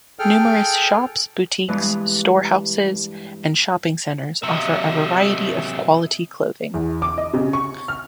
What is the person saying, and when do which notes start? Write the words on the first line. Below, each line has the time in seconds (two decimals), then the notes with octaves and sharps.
Numerous shops, boutiques, store houses and shopping centres offer a variety of quality clothing.
0.19 G#4 A4 G5 F6
1.68 G2 E3 G#3 B3
4.43 C3 F#3 D#5 E5
6.74 E2
7.02 D6
7.18 D#5
7.33 C#3
7.53 C#6
7.88 F6